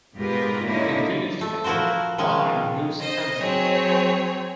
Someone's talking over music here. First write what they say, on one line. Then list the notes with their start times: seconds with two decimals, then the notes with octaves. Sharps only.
He finished second behind Gus Hansen.
0.16 G#2 B2 F4 G4 A#4 B4
0.63 D3 A#3 C#4 D#4 E4
1.41 A3
1.64 F3 E4 F#4 A#4 C5
2.18 D#3 F3 G#3 C#4
3.00 C5 D#5
3.38 F#3 C4 G#4 C#5